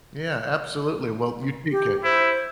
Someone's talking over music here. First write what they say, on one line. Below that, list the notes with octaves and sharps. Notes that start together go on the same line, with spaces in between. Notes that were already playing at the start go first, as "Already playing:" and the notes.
Yeah, absolutely, well, you take care.
G4
E4 C5